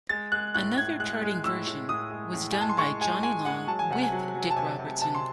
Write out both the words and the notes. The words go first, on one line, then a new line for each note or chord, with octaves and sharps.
Another charting version was done by Johnny Long with Dick Robertson.
G#3 A6
G#3 F#6
A2 F#6
A2 G#6
G#3 F#6
G#3
A2 E6
A2
A2 D#6
G#3
A2
G#3 G#5
A5
C6
G#3 C#6
G#3 G#5
G#3 G#5
G#3 F#5
F#3 A5
G#5
C3 F#5
G#5
F#3
F#3
A5
C3 G#5
C3
C3 A5
C6